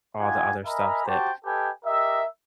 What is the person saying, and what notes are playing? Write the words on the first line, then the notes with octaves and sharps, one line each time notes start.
all the other stuff that
D#4 F4 G4 F#5 G#5
A#4 D#5 E5 G#5 A#5 B5
F#4 G4 C5 G5 A5
G4 A4 B4 D#5 G5 G#5
G4 A#4 D#5 E5